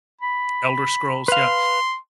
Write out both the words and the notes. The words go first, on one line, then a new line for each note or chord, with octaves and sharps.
Elder Scrolls, yeah.
B5
B4 F5 C6